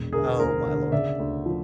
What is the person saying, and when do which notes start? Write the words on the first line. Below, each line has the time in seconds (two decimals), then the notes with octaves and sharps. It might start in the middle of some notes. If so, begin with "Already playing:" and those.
Oh my lord.
Already playing: E1 A#1
0.13 D3 G#4 A#4
0.39 D2 A#4 C5
0.66 D3
0.92 C#3 D5 E5
1.19 D2
1.46 F3